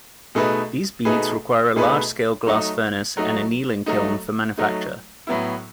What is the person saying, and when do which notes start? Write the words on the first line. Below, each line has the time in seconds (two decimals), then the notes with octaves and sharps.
These beads require a large scale glass furnace and annealing kiln for manufacture.
0.35 B2 A3 D#4 G#4 B4
1.05 B2 A3 D#4 G#4 B4
1.76 B2 A3 D#4 G#4 B4
2.46 F#3 A3 D#4
3.17 F#3 A3 D#4
3.86 F#3 A3 D#4
4.58 F#3 A3 D#4
5.27 A2 F#3 B3 E4